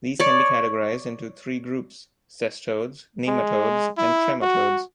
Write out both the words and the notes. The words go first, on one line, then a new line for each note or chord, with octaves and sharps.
These can be categorized into three groups; cestodes, nematodes and trematodes.
C#5 D5
G#3
E4
F#4